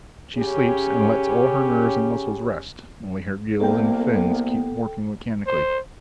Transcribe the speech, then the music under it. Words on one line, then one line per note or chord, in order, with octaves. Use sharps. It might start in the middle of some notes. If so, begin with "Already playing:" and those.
She sleeps and lets all her nerves and muscles rest; only her gills and fins keep working mechanically.
C#3 C#4 G4
C2 A#3 B3 A4 G5
C5